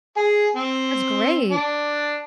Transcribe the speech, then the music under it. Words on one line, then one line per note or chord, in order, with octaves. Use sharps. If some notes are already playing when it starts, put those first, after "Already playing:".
That's great.
G#4
C4
D4